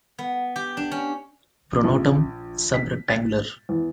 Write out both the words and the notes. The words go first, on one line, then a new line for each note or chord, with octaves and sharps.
Pronotum sub rectangular.
B3
G4
D4
C#4
A#1
B6
A6
E2